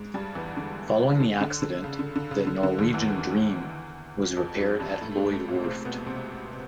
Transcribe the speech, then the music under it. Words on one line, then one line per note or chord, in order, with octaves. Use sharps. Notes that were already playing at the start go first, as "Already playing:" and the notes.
Following the accident, the "Norwegian Dream" was repaired at Lloyd Werft.
Already playing: G#2 G#3
G2 G3
E2 E3
D3
D3
D3
D3
C#3
D3
D3
C#3
D3
D3
D#2 D#3
E2 E3
F2 F3
F#2 F#3
G2 G3
A2 A3
A3
G#2 G#3
A2 A3
A#2 A#3
C3 C4
B2 B3
C3 C4